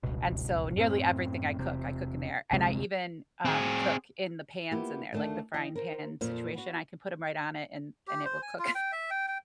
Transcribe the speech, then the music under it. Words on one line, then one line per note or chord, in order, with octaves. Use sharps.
and so nearly everything I cook, I cook in there, and I even, um, cook in the pans in there, like, the frying pan situation. I can put 'em right on it and and it will cook
D1 G1 C#2 B2
F#2 A2 C3 C4
E1 C3
F1 D2 C3 G#3
C4 G#4
A#3 B3 E4 F4 G4
D2 D#3 A3 D4 A5
E3 D#5 G5
A#4 C5
F2 A#2 F3 F4
B3 F#4
G4
C5
G#5
F4
G5
E5
G5
G5